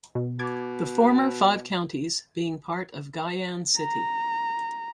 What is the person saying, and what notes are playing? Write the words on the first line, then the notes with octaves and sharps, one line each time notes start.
The former five counties being part of Guyuan city.
B2
B2 D6 G#6 A6
A#5